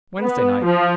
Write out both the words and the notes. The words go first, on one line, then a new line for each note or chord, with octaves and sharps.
Wednesday night?
B3
F3